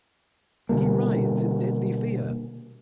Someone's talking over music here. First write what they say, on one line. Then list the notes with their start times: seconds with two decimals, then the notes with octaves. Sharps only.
He writhes in deadly fear.
0.69 B2 D3 G3 A#3